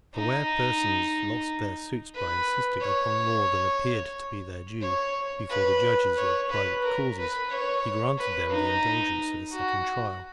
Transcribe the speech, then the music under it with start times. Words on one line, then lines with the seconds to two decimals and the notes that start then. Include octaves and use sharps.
For where persons lost their suits by insisting upon more than appeared to be their due, before the judges of private causes, he granted them the indulgence of a second trial.
0.14 D#4
2.15 B4
2.81 C#5
4.82 C#5
5.50 B4
6.17 C#5
6.50 B4
6.83 A#4
7.17 B4
7.50 C#5
8.18 B4
8.50 D#4
9.51 F#4